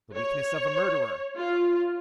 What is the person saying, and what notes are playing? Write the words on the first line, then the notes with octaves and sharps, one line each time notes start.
"The weakness of a murderer!"
C#5
F4